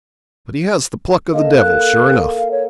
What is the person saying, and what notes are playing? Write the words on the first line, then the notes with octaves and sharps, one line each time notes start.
But he has the pluck of the devil, sure enough.'
A#3 A4 D#5 A5
F#6
F5
C#5